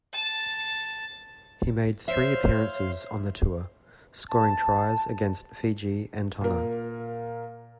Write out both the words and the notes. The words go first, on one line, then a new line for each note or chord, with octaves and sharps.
He made three appearances on the tour, scoring tries against Fiji and Tonga.
A5
C5 C#5 E5 F5 C6
A5
A#2 A#4